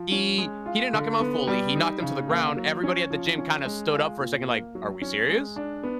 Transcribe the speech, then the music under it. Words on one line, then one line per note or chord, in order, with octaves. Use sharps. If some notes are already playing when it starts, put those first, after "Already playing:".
He he didn't knock him out fully, he knocked him to the ground, everybody at the gym kinda stood up for a second like, "Are we serious?"
Already playing: F3
C#4
G#3
F4
D3
B3
G3
D#4
C#3
A#3
F#3
C#4
F3
C#4
G#3
F4
A#2
A#3
F#3
C#4
G#3
D4
B3